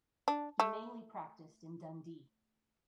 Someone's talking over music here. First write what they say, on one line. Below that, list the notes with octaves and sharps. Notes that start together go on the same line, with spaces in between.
He mainly practiced in Dundee.
D4
A3